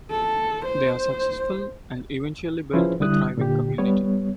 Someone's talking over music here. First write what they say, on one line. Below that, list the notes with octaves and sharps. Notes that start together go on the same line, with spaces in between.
They are successful and eventually build a thriving community.
A4
C5
F3 C#4 E4 G#4 B4 C5
D3 G3 E4 D#6 F#6
A#2 D3 G4
G3 B3 C#5